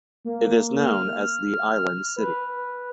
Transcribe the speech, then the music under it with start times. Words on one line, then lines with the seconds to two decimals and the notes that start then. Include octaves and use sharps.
It is known as "The Island City".
0.25 A#3
0.81 F6
2.16 B4